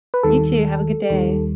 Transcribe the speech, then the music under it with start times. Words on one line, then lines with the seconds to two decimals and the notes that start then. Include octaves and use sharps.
You too, have a good day.
0.14 B4
0.23 D#2 D#3 G3 A4
1.10 D#2 D#3 G3